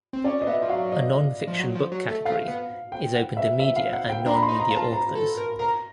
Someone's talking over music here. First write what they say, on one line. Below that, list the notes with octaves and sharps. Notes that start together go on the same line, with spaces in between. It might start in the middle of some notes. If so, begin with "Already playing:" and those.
A non-fiction book category is open to media and non-media authors.
C4
C#4 D5
D#5
B3 E5
F3
F#3 F5
D#5
F3
F#3
F3
F#3
A3
A3 F5
B3
G5
F#5
E5
E5
F5
F#5
G5
D4 A#5
B5
C6
D#4
A#5
F4
A5
A#5
A4
A#4
A#4 A#5